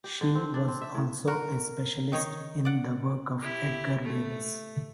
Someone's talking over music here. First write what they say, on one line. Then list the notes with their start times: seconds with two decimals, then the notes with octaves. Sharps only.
She was also a specialist in the work of Edgar Degas.
0.04 G4
0.21 D3
0.35 C4
0.54 D4
0.68 C4
0.81 E5
0.95 A2
1.27 F#4 A#4
2.12 D#3 D#4 C#5
2.65 D5 F#5
3.41 E4 G4
4.04 A3